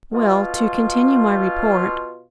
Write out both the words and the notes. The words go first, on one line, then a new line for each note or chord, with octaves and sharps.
Well, to continue my report.
B2 F4